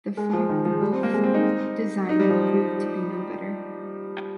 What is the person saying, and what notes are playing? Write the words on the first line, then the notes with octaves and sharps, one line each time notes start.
The Focke-Wulf design proved to be no better.
G#3
F3
D#3
F3
G3
C4
A#3
G#3
C4
D#4
D#4
G3
F3